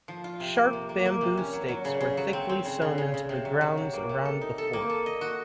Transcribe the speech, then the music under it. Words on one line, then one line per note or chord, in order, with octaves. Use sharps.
Sharp bamboo stakes were thickly sown into the grounds around the fort.
F3
F4
C3
A#3
C3
A#3
A#3
C3
C#4
F#3
F#3
C#3
C#3
F#3
C4
C4
C#3
C#3
C#3
C#3
C3
F#3
F#3
C3
A#3
C3
A4
D#4
A4
A#3
A4
D#5
F#4